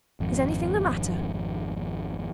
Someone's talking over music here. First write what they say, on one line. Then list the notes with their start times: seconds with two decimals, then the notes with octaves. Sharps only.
Is anything the matter?'
0.20 G#1 F2